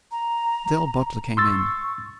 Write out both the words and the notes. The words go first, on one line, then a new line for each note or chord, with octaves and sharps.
The old butler came in.
A#5
C6 C#6 E6 A6